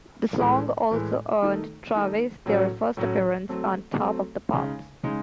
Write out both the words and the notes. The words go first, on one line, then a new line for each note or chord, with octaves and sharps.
The song also earned Travis their first appearance on "Top of the Pops".
A2 E3 G#3
A2 E3 G#3
D#3 A3 D#4
D#3 A3 D#4
A2 F#3 C#4 F#4
A2 F#3 C#4 F#4
F#3 A3 C4
F#3 A3 C4
C#3 G#3 D#4
C#3 G#3 D#4